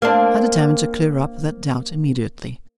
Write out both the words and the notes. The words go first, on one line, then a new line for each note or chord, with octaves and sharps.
I determined to clear up that doubt immediately.
A#3 C4 D4